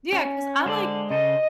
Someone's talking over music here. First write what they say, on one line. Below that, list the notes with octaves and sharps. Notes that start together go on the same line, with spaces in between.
Yeah 'cause I like
C#4
D3 G#3 C5 D5
C#3 A4 C5 D#5